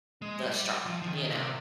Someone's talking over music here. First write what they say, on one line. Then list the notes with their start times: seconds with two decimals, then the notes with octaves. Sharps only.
the straw, you know?
0.22 G#3
0.44 G3
0.66 G3
0.86 F3
1.02 F3
1.07 D#3
1.29 C3